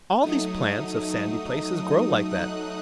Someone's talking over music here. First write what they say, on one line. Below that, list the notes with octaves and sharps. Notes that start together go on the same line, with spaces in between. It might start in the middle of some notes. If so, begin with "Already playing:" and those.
All these plants of sandy places grow like that.
F#3 A3 D#4 D#6
D#6
F#6